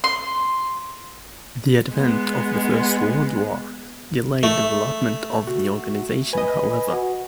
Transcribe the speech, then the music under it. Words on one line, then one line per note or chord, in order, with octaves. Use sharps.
The advent of the First World War delayed development of the organisation, however.
C6
G#3 B3
A3
F#4
B4 D#5 G#5
F#4